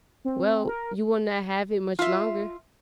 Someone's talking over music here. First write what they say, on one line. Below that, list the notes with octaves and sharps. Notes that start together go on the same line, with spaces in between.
"Well, you will not have it much longer."
C4
A#4
F4 E5